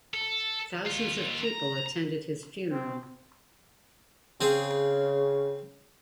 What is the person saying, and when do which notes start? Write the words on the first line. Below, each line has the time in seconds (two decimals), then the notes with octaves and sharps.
Thousands of people attended his funeral.
0.14 A4
0.87 D#2 F4
1.44 A#5
2.72 C4
4.41 C#3 C4 G#4 G#5